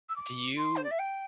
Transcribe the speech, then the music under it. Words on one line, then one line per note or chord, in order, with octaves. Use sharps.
Do you
E6
D6
C6
C5
D5
E5
G5